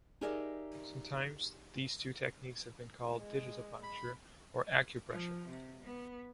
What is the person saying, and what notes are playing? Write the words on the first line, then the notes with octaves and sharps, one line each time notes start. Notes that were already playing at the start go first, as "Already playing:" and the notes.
Sometimes, these two techniques have been called digitopuncture or acupressure.
D#4 G4 G#4 A#4 D5 E5
G#3
B5
F3
C3
B3